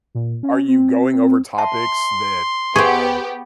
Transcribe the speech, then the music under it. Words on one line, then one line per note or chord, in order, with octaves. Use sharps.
are you going over topics that, uh,
A#2
C#4
C4
E5 A5 C6
B3 G4 G#4 C5 C#6